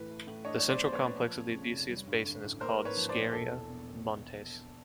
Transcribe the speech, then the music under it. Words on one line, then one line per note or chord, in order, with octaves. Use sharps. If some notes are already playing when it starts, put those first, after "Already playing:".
The central complex of the Odysseus basin is called Scheria Montes.
Already playing: A2 E3 B4
A3
A2
D4 C#5 D#5
F#3 C#5
C5 D5
B3
C5
B4 C#5
A#2
F3
F2
C#3
F1
G3
G2
D3
A1
A#3 A#4 C5
G#2
B4 C#5
F3
C5 D5
A#1
E1 A4
E2
B2
E1